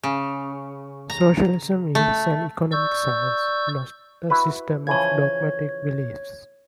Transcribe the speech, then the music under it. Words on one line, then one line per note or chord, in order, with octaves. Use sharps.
Socialism is an economic science, not a system of dogmatic beliefs.
C#3
A#5
A3
D5 C#6 E6 G6
E4 F#4 B4
C#3 E3 F3 C#5 G#6